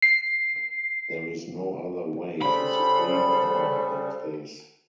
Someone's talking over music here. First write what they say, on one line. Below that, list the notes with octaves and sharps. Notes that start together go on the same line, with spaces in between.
There is no other way to supreme power but this.
C7
C#3 G3 A4 C5 B5